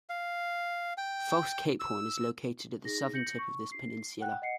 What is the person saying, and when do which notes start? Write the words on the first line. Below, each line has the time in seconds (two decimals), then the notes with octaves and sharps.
False Cape Horn is located at the southern tip of this peninsula.
0.09 F5
0.97 G5
1.80 E6
2.85 D#4 G#4 A#6
3.14 G6 A#6 C#7 F#7
3.39 C#6
3.72 C7
4.20 F#5 G5 F#6
4.42 D#5 F#5 C7 C#7